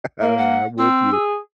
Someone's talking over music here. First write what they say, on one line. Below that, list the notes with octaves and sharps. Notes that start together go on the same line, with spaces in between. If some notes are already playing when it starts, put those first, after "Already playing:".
Alright. I'm with you.
A#3 A#4
F#5
C4 E6
G#4